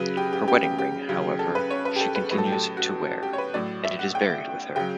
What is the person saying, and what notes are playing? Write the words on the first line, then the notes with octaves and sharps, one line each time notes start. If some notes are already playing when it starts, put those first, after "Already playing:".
Her wedding ring, however, she continues to wear, and it is buried with her.
Already playing: C#3 F#3 B4
G4
G4
G4
G4
G4
C#3 F#3
A4
B4
C#5
B4
G4
A4
B4
A2 F#3 B4
A4
G4
A4
F#4
G4
C#5
B4
A2 F#3 D5
E5
F#5
G5
C#3 F#3 G5